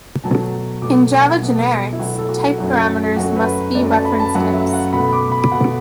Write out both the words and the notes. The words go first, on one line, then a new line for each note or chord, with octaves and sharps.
In Java Generics, type parameters must be reference types.
B2 F#3 A3 A5
B2 F#3 A3 D6
F#5
B2 F#3 A3
E4
B2 F#3 A3 F#4
A4
F#4
F#2 F#3 A3
F#2 F#3 A3 F#4
B4
F#2 F#3 A3 D5
A5
B5
A5
F#2 F#3 A3 F#5
E5
F#5
B2 A3 B5
D6
B5
B2 A3 F#5